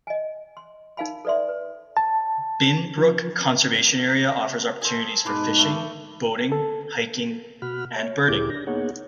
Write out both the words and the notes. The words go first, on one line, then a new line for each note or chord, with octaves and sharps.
Binbrook Conservation Area offers opportunities for fishing, boating, hiking and birding.
D#5 G#5
C6
D#4 A#4 F5 G#5 B5
A4 B4 D5 E5 C6
B4
A5
F3
G#4 A4 C5
G#2 B2 D#4 B4 C6 D6
A3
A4
B2 F#4 F#5 B5 F6
C#5
D2 A#2 E4 G4 G#4 D6
D4 A#6
A#3 B3 D#4 G#4 C#5 F#5